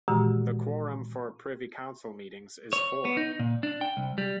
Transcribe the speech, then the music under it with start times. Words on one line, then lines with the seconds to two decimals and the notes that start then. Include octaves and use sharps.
The quorum for Privy Council meetings is four.
0.08 A#2 D#3 E3 G#3 F#4 G4
2.73 C#5
3.05 B3
3.17 D#4
3.40 A#2
3.63 D4
3.81 G5
3.97 C2
4.18 G3